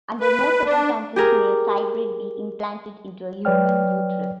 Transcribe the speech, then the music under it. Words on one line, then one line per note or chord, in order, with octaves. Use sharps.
Under no circumstances may a cybrid be implanted into a human uterus.
B4
D4
G4 G#4 A#4
F#3 B4 C#5 D5 G5 F6